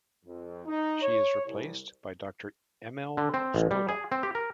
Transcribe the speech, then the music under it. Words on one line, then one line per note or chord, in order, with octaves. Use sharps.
She is replaced by Doctor Emil Skoda.
F2
D#4
C#5
C2
D3
C4
A1
G3
G#4
C4
G4
A#4